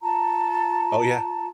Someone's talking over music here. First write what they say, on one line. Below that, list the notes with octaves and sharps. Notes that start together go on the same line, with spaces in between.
Oh, yeah.
F4 A5 A#5